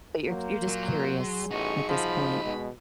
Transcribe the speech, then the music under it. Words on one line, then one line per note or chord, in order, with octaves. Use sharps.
But you're you're just curious at this point.
F#3 A#3 C5
A#2 F#3
G#4 C6
A1 D#4 F#4 C#6
F3 B5
B2 G#3